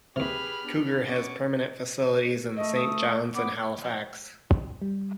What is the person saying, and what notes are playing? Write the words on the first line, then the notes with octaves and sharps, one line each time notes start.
Cougar has permanent facilities in Saint John's and Halifax.
D#2 C3 G4 G#4 B4 B5 F6
B3 D4
B3 C#4 C#6 D6
A3 D#5
D#6
B3 D6
G3